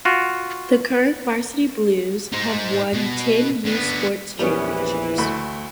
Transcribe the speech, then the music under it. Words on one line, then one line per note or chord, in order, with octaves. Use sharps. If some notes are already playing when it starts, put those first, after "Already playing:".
The current Varsity Blues have won ten U Sports Championships.
F4 F#4
D#4 C5
B2
D3 B3
A#1 E2 E3 G3 B3 C#4
D2 A3 B5